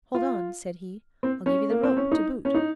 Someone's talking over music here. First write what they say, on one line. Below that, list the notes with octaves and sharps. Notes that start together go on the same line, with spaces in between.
"Hold on," said he, "I'll give you the rope to boot."
F4
C4
C#4
A#3
C4
C#4
D#4
C#4
D#4